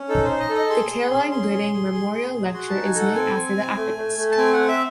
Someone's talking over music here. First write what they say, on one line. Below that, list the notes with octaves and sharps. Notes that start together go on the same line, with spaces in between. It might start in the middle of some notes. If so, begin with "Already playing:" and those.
The Caroline Gooding Memorial Lecture is named after the activist.
Already playing: C#4
D#4 A4
D#4 C5
D#5
A4
D#5
G#4 C6
G#4
C#4
G#4 C6
G#4
G#4
G#4
G#4
G#4
F#4 C6
D#4 A5
G#5
A4 F#5
C4 G#5
C4
C4
A3
A3
A3
A5
C4 G#5
F#5
C4
E5